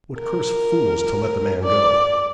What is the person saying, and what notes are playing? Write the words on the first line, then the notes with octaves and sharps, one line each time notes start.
'What cursed fools to let the man go!
A#4
D5